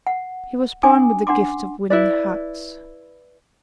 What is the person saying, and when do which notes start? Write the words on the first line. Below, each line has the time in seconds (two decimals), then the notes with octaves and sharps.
He was born with the gift of winning hearts.
0.07 F#5
0.83 C#4 D4 G#5 D6 D#6
1.27 D4 F#5 C6 D6
1.90 E4 B4 D5